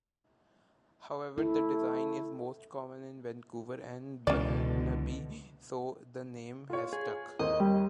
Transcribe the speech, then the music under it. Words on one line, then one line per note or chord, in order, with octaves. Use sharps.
However, the design is most common in Vancouver and Burnaby-so the name has stuck.
A3 E4
C#2 B2 D3 E3 C#4 D5
F4 C#5
G#4
D#2 A#3 C4 D#5
G3